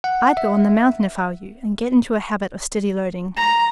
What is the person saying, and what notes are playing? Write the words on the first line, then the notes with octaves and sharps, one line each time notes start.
"I'd go on the mountain if I were you, and get into a habit of steady loading."
F#5
E5
A#5